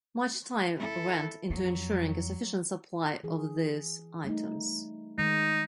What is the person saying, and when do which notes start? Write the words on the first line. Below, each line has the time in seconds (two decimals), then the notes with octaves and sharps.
Much time went into ensuring a sufficient supply of these items.
0.77 E4 A4
1.50 F2 F#3
3.24 E3 G#4
4.25 G3 A3 D#4
5.18 D#3 G#3 D#4